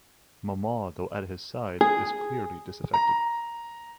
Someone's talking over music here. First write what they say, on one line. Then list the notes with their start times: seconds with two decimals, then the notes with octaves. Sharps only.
Mamah, though at his side, is clearly disaffected.
1.81 G#4
2.94 A#5